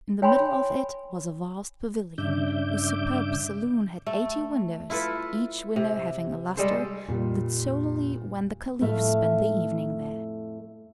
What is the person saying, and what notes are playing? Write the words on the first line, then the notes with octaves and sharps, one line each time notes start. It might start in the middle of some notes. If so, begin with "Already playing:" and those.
In the middle of it was a vast pavilion, whose superb saloon had eighty windows, each window having a lustre, lit solely when the Caliph spent the evening there.
C#5 G5 G#5 B5 C6
G2 C#3 D4 E5 D6 G6
A3
E4 F4 A4 B4
C3
G3 G#3 A4 C5
F2 A#2 G3
F2 A2 A3 A4 E5 F5